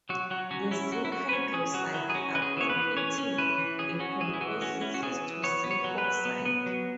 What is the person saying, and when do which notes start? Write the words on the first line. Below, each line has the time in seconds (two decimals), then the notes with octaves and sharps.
The zinc hydroxide upon heating decomposes to zinc oxide.
0.09 F#3 F#4
0.31 F#3 F#4
0.51 C#4 F#4
0.71 C#4 E4
0.92 F#3 F#4
1.05 E4
1.12 F#3 F#4
1.29 B4
1.33 C#4 C#5
1.53 C#4 G#4
1.74 F#3 F#4
1.94 F#3 E4
2.10 G#4
2.15 C#4 F#4
2.35 C#4 B4
2.42 G#4
2.57 E3 C#5
2.70 B4
2.76 E3
2.97 C#4 C#5
3.18 C#4
3.38 E3 B4
3.58 E3
3.79 C#4 G#4
4.00 C#4 F#4
4.20 E3 G#4
4.33 E4
4.41 E3 F#4
4.61 C#4 F#4
4.81 C#4 E4
4.94 F#4
5.02 E3 G#4
5.22 E3
5.44 B3 C#5
5.64 B3
5.71 C#5
5.84 F#3
5.98 B4
6.05 F#3
6.25 B3
6.45 B3
6.66 F#3